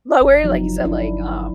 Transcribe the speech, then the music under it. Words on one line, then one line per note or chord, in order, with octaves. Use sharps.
lower, like you said, like, um,
F#1
F3 F#3 D#4
G1 D4 E4